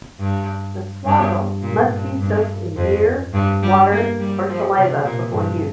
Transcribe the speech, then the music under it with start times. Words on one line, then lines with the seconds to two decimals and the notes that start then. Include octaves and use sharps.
The swazzle must be soaked in beer, water, or saliva before use.
0.19 G2
1.05 G2
1.62 A#2
1.91 G2
2.20 G2
2.76 F2
3.34 G2
3.62 G3
3.91 A#3
4.20 G3
4.48 F3
4.77 C3
5.05 A#2
5.33 G2